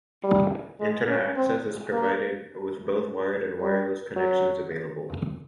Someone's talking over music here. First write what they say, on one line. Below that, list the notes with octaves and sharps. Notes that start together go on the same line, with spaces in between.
Internet access is provided, with both wired and wireless connections available.
G3
G#3
C#4
C4
A#3
G3
F#3